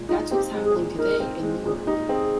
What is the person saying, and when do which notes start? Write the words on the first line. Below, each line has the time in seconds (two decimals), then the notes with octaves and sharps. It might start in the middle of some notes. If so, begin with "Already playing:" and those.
That's what happening today in New York.
Already playing: A#2 G#3
0.09 D#4 F4
0.31 C4 G4
0.53 G#3
0.64 G#4
0.75 A#2
0.98 D#4 A#4
1.20 C4
1.43 G#3
1.65 A#2 G#4
1.87 D#4 G4
2.09 C4 G#4